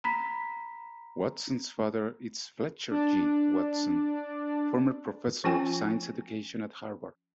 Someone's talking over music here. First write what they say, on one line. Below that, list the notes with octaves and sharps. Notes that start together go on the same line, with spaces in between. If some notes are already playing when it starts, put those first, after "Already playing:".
Watson's father is Fletcher G. Watson, former professor of science education at Harvard.
A#5 B5 B6
D4 D5
F3 C#4 F4 G5 G#5